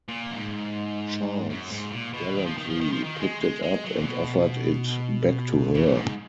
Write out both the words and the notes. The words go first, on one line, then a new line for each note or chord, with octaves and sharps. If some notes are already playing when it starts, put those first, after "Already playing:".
Charles gallantly picked it up and offered it back to her.
A#2
F#2
G#2
F#2
G#2
A#2
B2
D#3
F3
D#3
F3
D#3
F3
D#3
A#3
G#3
G#3
G#3
F#3
A#2
B2
C#3
A#2
G#2